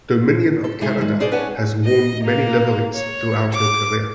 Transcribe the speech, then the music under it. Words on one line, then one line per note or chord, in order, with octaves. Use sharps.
"Dominion of Canada" has worn many liveries throughout her career.
A4
C3 G#3 D#4 E4 G#4 A4
D#3 G#3
B2 D#4 G#4 C5 D5
C#4 B4 C#5 F#5 G#5 A5
D#5
A#3
C#5
D6